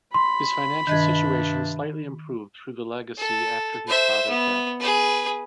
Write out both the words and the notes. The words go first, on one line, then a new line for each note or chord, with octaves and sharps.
His financial situation slightly improved through the legacy after his father's death.
B5 C6
G2 C3 D#3 D4 D#5 G#6
A4
C5 E5
B3
G#4 B4